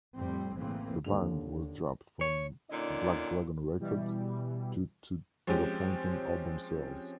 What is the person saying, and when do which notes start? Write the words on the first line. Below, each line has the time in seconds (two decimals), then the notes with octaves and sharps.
The band was dropped from Black Dragon Records due to disappointing album sales.
0.17 F2 A2 G3 C4
0.58 A1 A2 C#3 E3 A#3 C4
1.05 D#2 D3 F7
2.21 C#5
2.70 A#2 D3 C#4 D#4 D5
3.79 B2 E3 G3
5.47 F3 G#3 C4 C#4 G4